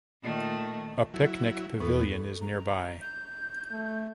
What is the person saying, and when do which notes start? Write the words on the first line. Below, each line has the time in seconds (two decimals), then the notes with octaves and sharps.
A picnic pavilion is nearby.
0.23 A#2 D#3 A3
1.14 F#3 E4
1.80 E2 B3 E4 A4 C#6
2.41 A#5
3.02 G6
3.71 A3